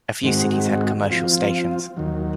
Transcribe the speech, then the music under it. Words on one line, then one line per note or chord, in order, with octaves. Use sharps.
A few cities had commercial stations.
G#2 D#3 G#3 C4 F#4
F3 C4 F4
D#2 D#3 F#3